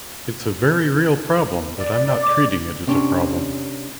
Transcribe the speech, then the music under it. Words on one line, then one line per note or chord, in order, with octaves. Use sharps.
It's a very real problem, but I'm not treating it as a problem.
D5
D6
C3 C#4 D4